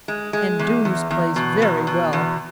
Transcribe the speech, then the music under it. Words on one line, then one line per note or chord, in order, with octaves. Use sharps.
And Doos plays very well.
G#3
G#3
E2
E2
E2
B2
E2
B2
E2